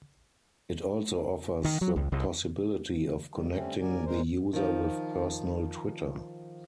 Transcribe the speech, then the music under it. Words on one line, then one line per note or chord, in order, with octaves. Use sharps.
It also offers the possibility of connecting the user with personal Twitter.
D#3
F#3
C#2
C2
D#3 G3
D3 G3 A3 C4 C#4
D#2 A#4 D5 G#5
A#2 G#3 A#4 C5
D#3 F3